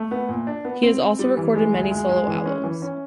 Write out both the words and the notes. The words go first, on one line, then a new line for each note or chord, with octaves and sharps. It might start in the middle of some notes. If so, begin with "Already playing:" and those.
He has also recorded many solo albums.
Already playing: A3
B3
A#2
D4
B3
C4
C4
G3
E3
G#3
D2
G#3
G#3
E3
C#4
E3
C#4